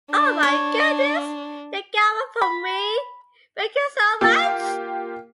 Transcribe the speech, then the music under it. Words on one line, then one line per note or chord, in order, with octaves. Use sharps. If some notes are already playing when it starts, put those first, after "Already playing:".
Oh my goodness! You got one for me! Thank you so much.
D4
C#5
B5
A#3 F4 G4